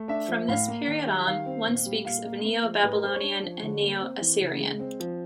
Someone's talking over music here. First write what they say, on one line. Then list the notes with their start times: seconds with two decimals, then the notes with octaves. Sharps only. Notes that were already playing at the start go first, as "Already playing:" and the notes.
From this period on, one speaks of Neo-Babylonian and Neo-Assyrian.
Already playing: A3
0.08 D4 E5
0.28 F3
0.48 A2 F5
0.68 A#3
0.87 D#3
1.07 G3
1.26 D#3 F5
1.46 C4
1.66 A#2
1.86 G3
2.05 A#2 F5
2.25 A#3
2.44 B3
2.63 F3
2.83 A2 B4
2.94 A#4
3.04 G#3 C5
3.13 C#5
3.23 D4
3.43 F3
3.62 D3
3.82 A#3
4.01 C4
4.21 E3
4.41 C#3
4.60 G#3
4.79 C4
5.00 F3